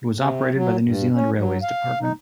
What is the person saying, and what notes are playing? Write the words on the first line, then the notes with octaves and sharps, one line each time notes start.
It was operated by the New Zealand Railways Department.
C3
F#3
G2
C#4
F#3
F5
D#4